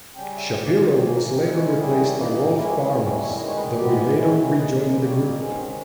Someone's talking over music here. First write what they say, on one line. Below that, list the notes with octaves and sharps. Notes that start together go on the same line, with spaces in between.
Shapiro was later replaced by Rolf Barnes, though he later rejoined the group.
C#3 G3 C#4 G5
E5
E2 B2 A#3 G#4
G4
G#4
G#4
G#2 E3 A#3 G5
G#5
A#5
G#5
C#3 G#3 D#4 G5
E5
C#5
B4
D#3 G3 C#4 E4 G#4
G2 E3 A#3 D#4
D#3 G#3 C#4 E4
G4
G#4
E2 B2 G3 C#4 E4 A#4
B4
C#5
D#3 G#3 D#4 D#5
C#5
B4
G#2 E3 G#3 B3 G4
D#3 G#3 C#4 E4
D#2 C#3 G#3 D#4 G#4
A#4
B2 G3 A#3 D#4 B4
C#5
G#2 D#3 G#3 C#4